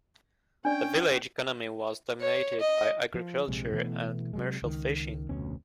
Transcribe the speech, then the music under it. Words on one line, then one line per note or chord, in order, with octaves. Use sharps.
The village economy was dominated by agriculture and commercial fishing.
C#4 D4 D5 G5
C#5
D#5
F3
A#1 C3 G#3
B2 E3 A3 B3
C3 F#3 G#3
C#2 D#3
F1 D2 B2 C#4